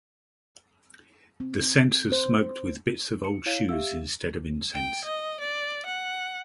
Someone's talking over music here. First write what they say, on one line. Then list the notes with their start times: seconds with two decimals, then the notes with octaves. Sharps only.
The censers smoked with bits of old shoes instead of incense.
1.40 C4
2.12 C5
3.25 C#7
3.46 E4 C#5 F5
3.69 G4 E5 F5 E6
4.74 G5
5.05 D#5
5.40 D5
5.86 F#5